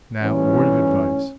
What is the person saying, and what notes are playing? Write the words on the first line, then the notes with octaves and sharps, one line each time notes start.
"Now, a word of advice."
A1 G#2 E3 G3 C#4